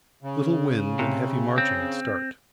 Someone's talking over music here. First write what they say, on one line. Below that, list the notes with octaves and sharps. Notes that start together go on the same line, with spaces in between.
Little wind and heavy marching at start.
C#3
C3
C4